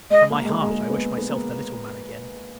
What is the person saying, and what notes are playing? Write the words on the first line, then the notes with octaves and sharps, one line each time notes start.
From my heart, I wish myself the little man again!
G#3 D#5
A#3
G#3
A#3
G#3
A#3
B3
B3
A#3